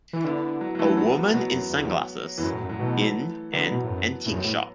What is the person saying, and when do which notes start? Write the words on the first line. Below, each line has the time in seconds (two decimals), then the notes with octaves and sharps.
A woman in sunglasses in an antique shop.
0.13 E3
0.25 D3 B3 E4
0.61 F#3
0.75 F#3
0.79 E3 A3
0.97 F#3 B3
1.33 B2 F#3 B3
1.53 F#2
1.70 E2
2.38 E2 E3
2.43 F#2 F#3
2.53 A2
2.62 F#2
2.69 A2 F#3
2.80 B2 E3 A3
3.53 D3 F#3 B3
3.71 B2
3.84 A2
3.89 F#2
4.26 A2
4.30 E2
4.34 F#2
4.44 A2